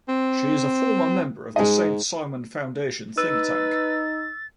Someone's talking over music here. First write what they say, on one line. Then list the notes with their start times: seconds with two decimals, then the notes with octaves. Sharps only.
She is a former member of the Saint-Simon Foundation think-tank.
0.09 C4
1.56 G#2 G#3 D#5
3.18 D#4 B4 E6 A6